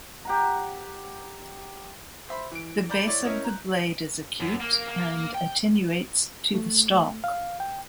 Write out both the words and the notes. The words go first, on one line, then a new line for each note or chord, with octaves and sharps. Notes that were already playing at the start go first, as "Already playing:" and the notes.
The base of the blade is acute and attenuates to the stalk.
G4 F#5 A#5
C5 E5 B5 C6
E3 D7
D5 A#5 B5 G6
E4 C#5 D5
C#4 E4 A#4 C#5 D#5
A#5 F#6
F#2
A#3
A#3
G5
A3
F5
G5